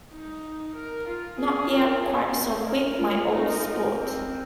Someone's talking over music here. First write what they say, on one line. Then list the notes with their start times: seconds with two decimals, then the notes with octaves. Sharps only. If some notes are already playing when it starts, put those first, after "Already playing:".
Not yet quite so quick, my old sport.
0.11 D#4
0.75 A#4
1.07 F4
1.39 G#4
1.71 F4 A#4
2.02 C#4 G#4
2.34 C4 G#4
2.66 A#4
2.98 F4
3.29 D#4 A#4
3.94 C4